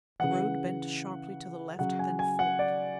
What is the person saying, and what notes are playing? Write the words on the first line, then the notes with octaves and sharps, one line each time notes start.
The road bent sharply to the left then forked.
C#3 E3 F#5
C#3 F#3 F#5
G#5
G#5
F#5
D5